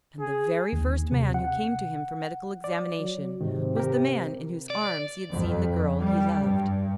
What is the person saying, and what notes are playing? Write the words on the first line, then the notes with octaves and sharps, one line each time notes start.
And the very first man who came to him for medical examination was the man in whose arms he had seen the girl he loved.
G#4
D#2
C3
F#5
D5
F#3
G#2 C3 D#3
G4 A#4
D5
F2
G3
G2